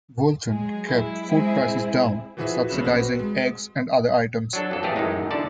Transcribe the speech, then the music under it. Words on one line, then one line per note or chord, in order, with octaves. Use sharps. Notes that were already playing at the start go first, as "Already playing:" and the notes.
Woolton kept food prices down by subsidizing eggs and other items.
F#3 G#3 G#4
E4
G#3 C4 G#4
E3 F3 F#4 G#4 B4 E5
A#1 C#3 B4 E7
C4 F#4 B4
G#3
F#3 D4 A4
F2 A4
A1 F2 A3 G4 G#4
F#2 A2 D#3 G#3 D#4
E2 D3 D5 A5